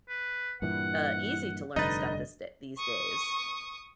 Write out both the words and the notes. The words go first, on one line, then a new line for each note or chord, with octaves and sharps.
uh, easy to learn stuff this da these days.
B4
G2 A#2 E3 F#5
F1 G2 D3 D#4 B4 D#5 A6
C#6 D#6